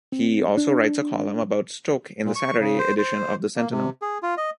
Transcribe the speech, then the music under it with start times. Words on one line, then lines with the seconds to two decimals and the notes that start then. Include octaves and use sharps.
He also writes a column about Stoke in the Saturday edition of "The Sentinel".
0.12 C4
0.57 D4
2.24 A#2
2.36 C#6
2.60 C#3
2.79 C5
2.98 C5
3.56 A#3
3.71 C3
4.02 G#4
4.23 F4
4.37 D#5